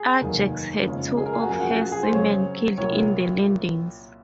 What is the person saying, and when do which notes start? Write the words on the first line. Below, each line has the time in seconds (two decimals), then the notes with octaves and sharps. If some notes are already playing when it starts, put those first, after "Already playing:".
"Ajax" had two of her seamen killed in the landings.
Already playing: G#4
0.21 F1 D#2 D#3 F#3
0.85 F#1 F2 C#3 G#3 C#4
1.17 G#4
1.26 A#4
1.33 G#4
1.41 F#4
1.49 F#2 F3 A#3 G#4
1.60 F#4
1.70 F#4
1.81 G#4
1.92 G#4
2.03 C5
2.13 F#2 C#3 F#3 C4 C#5
2.78 C2 A#2 F#3 A#3 C#5